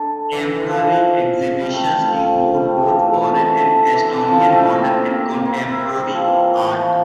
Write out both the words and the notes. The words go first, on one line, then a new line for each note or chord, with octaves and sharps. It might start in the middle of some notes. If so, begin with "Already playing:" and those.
Temporary exhibitions include both foreign and Estonian modern and contemporary art.
Already playing: D3
E3
E3
E3
F3
G3
A3
G3
F3
G3
A3
E3
F3
E3
D3
D3
E3
D3
E3
F3
G3
A3
A#3
C4
A#3
A#3
A#3
A#3
E4
E4
C4
G3
F3
E3
E3
F3